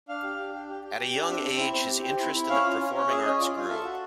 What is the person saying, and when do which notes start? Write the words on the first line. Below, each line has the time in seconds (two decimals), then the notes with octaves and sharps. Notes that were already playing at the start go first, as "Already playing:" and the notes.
At a young age, his interest in the performing arts grew.
0.08 D4 F5
0.23 G4
0.38 D4
0.54 G4
0.69 G4
0.83 G4
0.99 G4
1.13 D4
1.29 C4 E5
1.43 C4
1.59 E4
1.74 C4
1.89 G4
2.04 C4
2.19 E4
2.34 E4
2.50 C#4 F5
2.65 F4
2.79 C#4
2.94 C#4
3.10 G#4 E5
3.25 C#4 D#5
3.40 F4 D5
3.56 F4
3.69 A4 E5
3.85 F#4